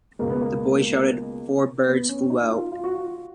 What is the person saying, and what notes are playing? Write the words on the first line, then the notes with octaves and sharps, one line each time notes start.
The boy shouted; four birds flew out.
C#2 B2 G#3 A#3
B3
A#3
B3
C#4
C#4
D#4
D#4
F4
F4
F#4
F4